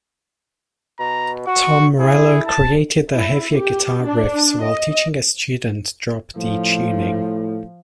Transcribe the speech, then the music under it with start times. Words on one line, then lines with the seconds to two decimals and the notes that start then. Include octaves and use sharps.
Tom Morello created the heavier guitar riffs while teaching a student drop D tuning.
1.00 B2 A#5
1.47 F#4 C#6
1.99 E4 G#4
2.47 A5
3.13 E4
3.59 G4
4.07 D4
4.65 D#5
6.37 A2 F3